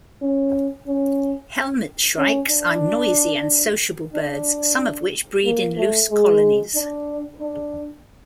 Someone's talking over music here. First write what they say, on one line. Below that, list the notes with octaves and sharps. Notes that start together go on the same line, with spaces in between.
Helmetshrikes are noisy and sociable birds, some of which breed in loose colonies.
C#4
C#4
C#4
D4
D4
A#3
A3
G#3
D4
D4